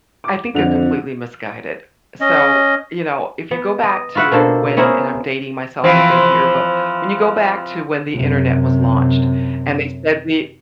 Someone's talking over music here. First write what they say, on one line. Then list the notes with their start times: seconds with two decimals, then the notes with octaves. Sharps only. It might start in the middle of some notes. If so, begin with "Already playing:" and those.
I think they're completely misguided. So, you know, if you go back to when and I'm dating myself a bit here, but when you go back to when the internet was launched and they said the
0.24 D6
0.54 F2 D3 F7
2.21 C#4 D#5
3.51 B3
3.83 D#5
4.15 F4 F#4 B4 E5 F#5
4.32 B2 A#3 D4 A4 C5 C6
4.77 B3 C#4 E4 G#4 A#4 C5
5.84 E3 F3 C4
8.14 F#2 C3